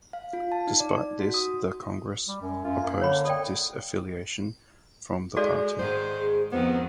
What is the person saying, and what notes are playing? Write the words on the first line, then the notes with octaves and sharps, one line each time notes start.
Despite this the Congress opposed disaffiliation from the party.
F5
F4
A5
D#4
D5
F#4
D#6
G3
F#2
F#2 F4
F#2 A#3
D3 C#5 B5
A4 D5 G5
G#3 F#4 A4 D5
G#2 D#3 G#3 C5
G#4
F2 D#3 B3 C5